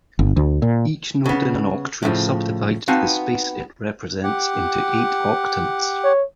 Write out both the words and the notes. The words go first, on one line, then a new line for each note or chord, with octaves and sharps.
Each node in an octree subdivides the space it represents into eight octants.
G1
D2
A#2
C#3 B3
A2 C#3 E3 F3
B3 C4 D#4 F#4 F5 A5
G4 F#5
C#5